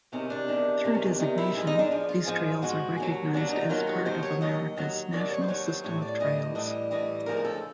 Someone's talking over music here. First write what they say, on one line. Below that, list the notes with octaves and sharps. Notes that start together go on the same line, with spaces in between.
Through designation, these trails are recognized as part of America's national system of trails.
E2 C3 D#3 C#4
D4
E2 C3 D#3
E2 C3 D#3
C#4
D4
E2 C3 D#3 D#4
E4
G#2 F3 G#3 E4
D#4
D4
G#2 F3 G#3
F4
G#2 F3 G#3
G#2 F3 G#3 F#4
D#2 D#3 F#3
D#2 D#3 F#3 D4
D#4
D#2 D#3 F#3 F4
F#4
D#2 D#3 F#3 C5
C#5
D#2 D#3 F#3 D#5
D#2 D#3 F#3
D#2 D#3 F#3 D5
C#5
C5
D#2 D#3 F#3 C#5
C5
A2 E3 G3 C#5
D5
A2 E3 G3 D#5
A2 E3 G3 D#5
A2 E3 G3 D#5
D2 C#3 F3 G#3 A#4
A#4
A4